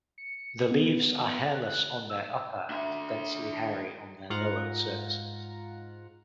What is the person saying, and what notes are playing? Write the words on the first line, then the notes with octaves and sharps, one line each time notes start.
The leaves are hairless on their upper and densely hairy on their lower surfaces.
C#7
B3
F#6
E6
D4 E5
G#2 F4 F#5 A#5